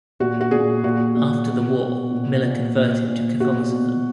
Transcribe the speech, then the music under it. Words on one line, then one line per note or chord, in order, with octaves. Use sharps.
After the war, Miller converted to Catholicism.
A#2 F#4
F#4
A#2 G#4
A#2 F#4
A#2
B2
B2
A#2
A#2
A#2
A#2
B2 F#4
B2